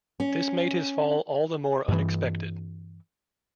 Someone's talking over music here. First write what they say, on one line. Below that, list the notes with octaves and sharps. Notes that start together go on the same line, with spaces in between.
This made his fall all the more unexpected.
C#4
G2 E3